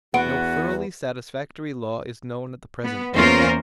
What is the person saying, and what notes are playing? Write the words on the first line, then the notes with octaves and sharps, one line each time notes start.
No thoroughly satisfactory law is known at the present day.
E2 B3 F#4 F#5 D7
B3
E2 A#3 C#4 F4 A#4 C5